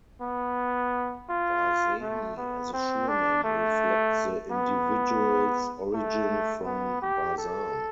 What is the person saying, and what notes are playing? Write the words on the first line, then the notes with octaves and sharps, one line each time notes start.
Barzani as a surname reflects the individual's origin from Barzan.
B3
F4
A3
B3
C4
D4
A3
B3
A3
B3
G4
A4